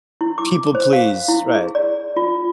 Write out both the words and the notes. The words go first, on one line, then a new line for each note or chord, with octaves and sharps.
People please, right.
E4
D6
C5
F5
E4
G#4
D5
F4